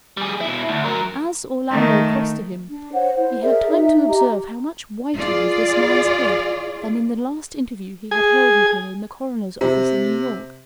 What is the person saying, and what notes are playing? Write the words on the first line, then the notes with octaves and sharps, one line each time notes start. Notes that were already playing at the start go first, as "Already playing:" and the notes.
As Orlando crossed to him, he had time to observe how much whiter was this man's head than in the last interview he had held with him in the coroner's office in New York.
G3 G#4
B2 E4
D2
F#3 A#4
D#3 A3
D4
C5 C#5 F#5
E4 C5
G#4 A#4 D5 E5
D#4 E5
G4 D#5 A#5
F4 G#4 D5
G#4 G#5
C3